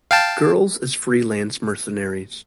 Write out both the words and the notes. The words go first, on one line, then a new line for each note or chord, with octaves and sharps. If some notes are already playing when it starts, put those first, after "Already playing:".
Girls as freelance mercenaries.
F5 G5 A5